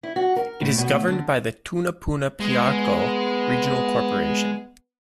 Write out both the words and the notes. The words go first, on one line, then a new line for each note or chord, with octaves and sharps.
It is governed by the Tunapuna-Piarco Regional Corporation.
E4
F#4
A#4
A2
B2
A3
D3
G#3 B3